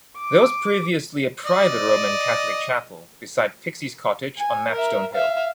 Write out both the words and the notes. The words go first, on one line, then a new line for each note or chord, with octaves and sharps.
There was previously a private Roman Catholic chapel, beside Pixies Cottage on Mapstone Hill.
D6
D5 D#5
G#5
A#4 E5
E5 F5